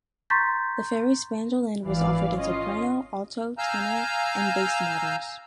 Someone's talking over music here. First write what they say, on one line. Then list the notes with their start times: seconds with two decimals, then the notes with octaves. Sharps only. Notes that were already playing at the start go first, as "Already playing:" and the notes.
The Farris banjolin was offered in soprano, alto, tenor, and bass models.
0.30 A#5 C6 C#6 G6 A6 B6
1.84 G#1 E3 D5 F5
2.39 C#4 F4 D#5
3.58 F5 G#5 A#5 E6 F6 G6